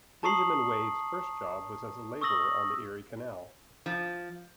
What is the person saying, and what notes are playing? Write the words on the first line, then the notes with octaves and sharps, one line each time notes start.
Benjamin Wade's first job was as a laborer on the Erie Canal.
A5 A#5 C#6 D#6 C7 F#7
C#6 D#6 E6 A#6 F#7
F3